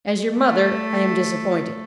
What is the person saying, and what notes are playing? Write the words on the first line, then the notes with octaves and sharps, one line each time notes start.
As your mother, I am disappointed.
A3